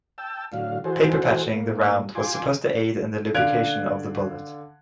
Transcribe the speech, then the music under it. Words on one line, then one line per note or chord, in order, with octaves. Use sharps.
Paper patching the round was supposed to aid in the lubrication of the bullet.
G5 A5 E6
A2 D3 F#3 F5
E3 F#4 G#4 A4 C5
A2 A#3
F4 G4 G#5 C6 D6
D3 F5 F#6 G#6 D7 F7